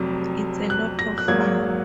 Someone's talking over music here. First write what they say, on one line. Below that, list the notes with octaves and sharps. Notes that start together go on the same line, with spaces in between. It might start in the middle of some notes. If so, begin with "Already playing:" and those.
It's a lot of fun.
Already playing: F1 F2 C3 F#3
F#6
A#6
F#6
G#1 G#2 F#3 A#3 G#6